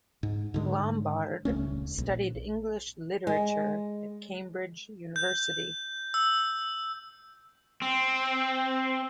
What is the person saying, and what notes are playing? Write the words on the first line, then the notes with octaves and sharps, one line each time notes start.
Lombard studied English literature at Cambridge University.
G#2
G#2 D3 G#3
D#1 C#2 A3 C#4
A#1
G#3
G6
E6
C4